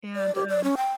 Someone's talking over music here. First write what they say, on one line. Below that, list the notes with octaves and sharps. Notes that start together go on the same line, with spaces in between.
and, um,
D5
G4
D5
C#4
G5